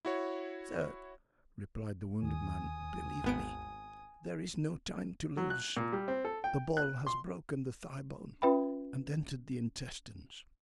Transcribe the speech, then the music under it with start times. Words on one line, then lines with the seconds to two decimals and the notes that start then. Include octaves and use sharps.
"Sir," replied the wounded man, "believe me, there is no time to lose; the ball has broken the thigh bone and entered the intestines."
0.05 E4 F#4 C#5
2.23 D#2 G#5 D#6
3.24 G#1 B3 D7
5.37 F#3
5.50 F#6
5.77 A#2
5.92 G3
6.08 C4
6.25 A4
6.44 G5
6.77 F#6
7.07 C6
8.42 C#4 F4 B4 E5 G5 B5